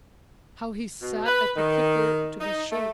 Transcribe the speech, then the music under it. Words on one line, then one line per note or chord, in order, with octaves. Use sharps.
How he sat the kicker to be sure!
B2
B4
D#3
D#4
A3